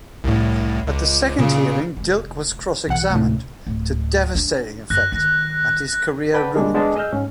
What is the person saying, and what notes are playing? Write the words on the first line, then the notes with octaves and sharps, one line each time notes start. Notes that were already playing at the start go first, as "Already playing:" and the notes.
At the second hearing Dilke was cross-examined to devastating effect and his career ruined.
C2 A2
C#2
A#2 C#3
F1 G#3
B1 B2 E3 F#5
D2 A2 C3 C#4
D1
D4
F#2 F#6 A#6
D#3 A#6
B4 D5 F#5 G5 A5 B5
D3 G3 G#3 A#3 D4
G#3 B3 D4 A4
G#4 D#5 E6 F6 G6
G#2 C#4